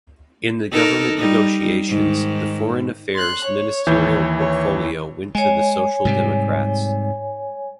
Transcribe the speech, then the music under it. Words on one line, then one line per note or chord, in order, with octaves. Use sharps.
In the government negotiations the Foreign Affairs ministerial portfolio went to the Social Democrats.
D#4 A4 A#4
G3 D#4
G#2 D#3
C6 F#6
C#5
D#2 E3 G6
C#5
G#3 C#5 G#5
G#2 C3 G3